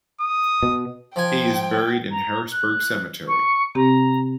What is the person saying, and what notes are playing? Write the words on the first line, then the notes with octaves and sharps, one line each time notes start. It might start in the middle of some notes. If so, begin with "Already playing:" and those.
He is buried in Harrisburg Cemetery.
D#6
B2
F3 G5 G#5
A#5
F#6
C#6
C3 C4 G4 A#5